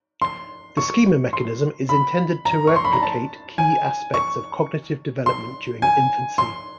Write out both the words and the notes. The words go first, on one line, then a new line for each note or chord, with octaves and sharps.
The Schema Mechanism is intended to replicate key aspects of cognitive development during infancy.
C6
C#6
C6
B5
A#5
C#6
C6
B5
A#5
A5
G#5
C#6
C6
G#5
C6